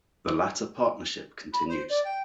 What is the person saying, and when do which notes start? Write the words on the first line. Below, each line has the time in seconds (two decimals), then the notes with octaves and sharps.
The latter partnership continues.
1.52 B5
1.68 C5
1.89 D5
2.04 G5